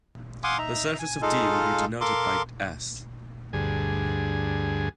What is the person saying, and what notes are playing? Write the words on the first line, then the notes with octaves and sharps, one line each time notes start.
The surface of "D" will be denoted by "S".
F5 F#5 G#5 C6 D6 D#6
D#4 E5 A#5
G#5
G#3 D#4 F4 A4 F5
A4 A#4 F5 C6 D6
D2 G2 G#4